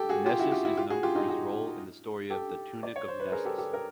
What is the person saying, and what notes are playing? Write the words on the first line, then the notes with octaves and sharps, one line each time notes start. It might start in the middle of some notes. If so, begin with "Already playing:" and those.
Nessus is known for his role in the story of the Tunic of Nessus.
Already playing: G4 A4
F#4 G#4
F4 G4
E4 F#4
F4 G4
E4 F#4
F4 G4
F#4 G#4
F4 G4
D#4 F4
F#4 G#4
G4 A4
D5
C#5
C5
B4
G#4 A#4
G4 A4
G4 A4
A#4